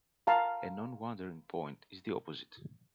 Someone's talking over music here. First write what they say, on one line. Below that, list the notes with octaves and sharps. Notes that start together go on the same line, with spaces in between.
A non-wandering point is the opposite.
F5 A5 A#5